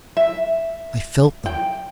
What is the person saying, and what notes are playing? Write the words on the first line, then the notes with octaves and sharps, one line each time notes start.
I felt them.'
E5
G5